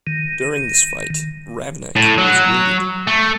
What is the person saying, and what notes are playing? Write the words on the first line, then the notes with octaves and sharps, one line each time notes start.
During this fight Raveneck was wounded.
D#3
A2
F#3
A3